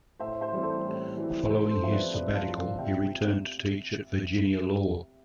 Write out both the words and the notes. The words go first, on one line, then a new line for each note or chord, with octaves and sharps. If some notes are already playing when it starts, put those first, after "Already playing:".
Following his sabbatical he returned to teach at Virginia Law.
A2 C5 E5
C5 E5
E3 G3 C4
A4 C5
A2
E3 G3 C4
C3 A4 C5
A4 C5
F3 C4 E5
B4 D5
C3 B4 D5
F5 A5
F3 C4
D5 F5
C3 E5 G5